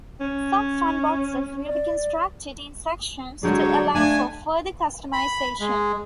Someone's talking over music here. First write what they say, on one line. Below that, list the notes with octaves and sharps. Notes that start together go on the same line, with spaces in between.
Some funboxes will be constructed in sections to allow for further customization.
C#4
D5
D3 F#3 G#3 D4 G4 G#4 C#5
A3 D4 E5 F5 G#5
B5
G#3